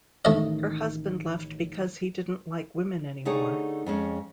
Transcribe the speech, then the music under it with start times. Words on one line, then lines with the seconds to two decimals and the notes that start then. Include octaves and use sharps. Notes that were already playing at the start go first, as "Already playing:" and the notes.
Her husband left because he didn't like women anymore.
0.25 A1 D#3 A3 D#5
3.25 D3 A3 D#4 G4 G#4 C#5
3.86 F2 G#3 C#4